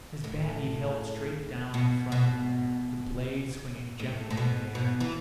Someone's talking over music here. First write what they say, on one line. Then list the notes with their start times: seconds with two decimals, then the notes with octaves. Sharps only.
His bat he held straight down in front of him, the blade swinging gently in the air.
0.24 A2
1.74 B2
2.12 B2
3.99 A2
4.30 A2
4.37 B2
4.75 B2
5.00 E3